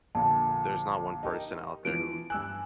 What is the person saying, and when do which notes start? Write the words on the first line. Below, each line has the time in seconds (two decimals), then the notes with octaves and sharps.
there's not one person out there who
0.15 A#1 A#2 D3 A5
1.23 D#4 G4 A#4
1.85 E3 F3 D7
2.30 G2 G#5 E6 F#6